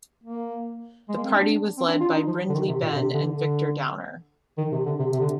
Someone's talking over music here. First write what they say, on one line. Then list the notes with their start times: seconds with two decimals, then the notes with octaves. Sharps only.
The party was led by Brindley Benn and Victor Downer.
0.24 A#3
1.09 G#3
1.17 A#3
1.24 C4
1.33 D4
1.78 C4
1.87 D4
2.00 F4
2.10 D4
2.14 D#4
2.27 F3
2.49 D3
2.54 D#3
2.68 C3
2.81 A#2
2.90 D3
2.95 C3
3.14 D3
3.32 D3
4.58 D#3
4.72 C3
4.86 D3
4.99 C3
5.12 C3
5.20 D3